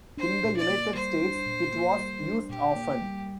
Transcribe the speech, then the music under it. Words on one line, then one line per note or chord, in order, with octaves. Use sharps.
In the United States it was used often.
D4 C5
A#2
D5
A#3
G3 C5
D4
A#2
A#3
G3
D4
A#2 G4
A#3
G3